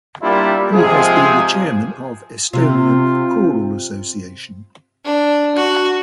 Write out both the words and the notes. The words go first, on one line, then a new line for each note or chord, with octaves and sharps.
He has been the chairman of Estonian Choral Association.
G3 A#3 D4 E4 F4 G4
C3 F3 G#3 F4 G#4
C3 F4
D4
F#4